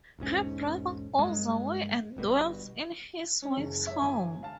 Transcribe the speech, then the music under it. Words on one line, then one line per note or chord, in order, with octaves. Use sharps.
Her brother goes away and dwells in his wife's home.
E1 B1 G#2 C#4
G2 G#3 A#3
G1 G2 B2
C#4
F#1
C#5 E5
G1 G#5
F5 A5